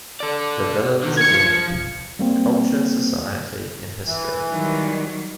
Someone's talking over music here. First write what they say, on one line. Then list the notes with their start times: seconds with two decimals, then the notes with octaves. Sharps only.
The villains again: culture, society, and history.
0.20 A4 D5
1.03 D3 D#3
1.17 G#6 C#7
1.31 F3 F4
2.19 G3 A#3 C4
4.05 E3
4.50 D#3 F#3 G3